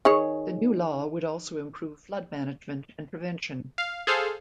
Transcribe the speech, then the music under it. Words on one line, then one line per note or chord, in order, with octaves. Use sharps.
The new law would also improve flood management and prevention.
D#3 G#4 C#5
F5
G#4 A4 C5 F5